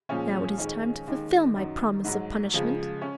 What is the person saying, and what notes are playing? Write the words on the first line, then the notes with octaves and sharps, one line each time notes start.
Now it is time to fulfill my promise of punishment.
A#2 F3 G#3 C#4
F2 D#3 G#3
D#2 D#3 G#3
F#2 D#3 F#3
G#2 F#3
C#2 C#3 F3 G#3
C#4